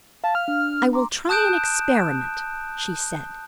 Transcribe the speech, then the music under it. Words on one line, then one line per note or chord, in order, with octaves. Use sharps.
"I will try an experiment," she said.
F5 A5
F6
D4
A#5 C6 D6
A5 D#6 F#6 G6 D7 E7